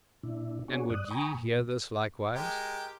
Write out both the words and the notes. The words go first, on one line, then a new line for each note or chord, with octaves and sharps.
And would ye hear this likewise?
A#2 D4 E4
B3 D4 F#4 G#4 C#5
G2 D5 D#6 F#6
G5 G#5 A#5 B5 C#6 D#6
A#2
G#3 G4 A#4